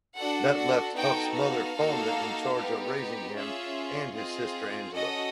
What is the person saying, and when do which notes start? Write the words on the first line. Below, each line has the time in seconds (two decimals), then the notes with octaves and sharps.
That left Huff's mother Fonda in charge of raising him and his sister Angela.
0.16 D4 F#4 A4 F#5
0.56 F#5
0.95 B3 D#4 F#4 A4 G5
1.35 F5
1.75 A#3 D#4 F#4 A4
2.55 B3 D#4 G4
3.35 C#4 F4 G#4 E5
4.14 C4 F4 G#4 D#5
4.94 C#4 F#4 A4 D#5